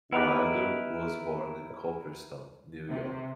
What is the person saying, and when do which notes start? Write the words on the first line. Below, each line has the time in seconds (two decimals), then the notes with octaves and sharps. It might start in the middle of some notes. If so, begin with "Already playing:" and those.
Wilder was born in Cooperstown, New York.
0.12 B3 D#4 E4 G4 A#4 B4
2.90 C3